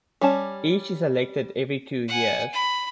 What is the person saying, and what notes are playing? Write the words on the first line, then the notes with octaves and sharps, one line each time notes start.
Each is elected every two years.
G3 C#4 A5
F#5 G#5
B5